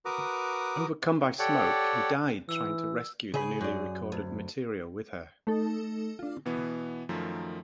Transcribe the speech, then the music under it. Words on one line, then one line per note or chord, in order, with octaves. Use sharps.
Overcome by smoke, he died trying to rescue the newly recorded material with her.
F#4 A#4 B4 A#5 D6 D#6
G4 A4 C#5 D5 F#5 G5
E3 E6
C#3 G#4 D#5 B5
F#2 D5
D2
A3 D#4 A4
D4 F4
B2 E3 B3
F#2 D#3 F3 A3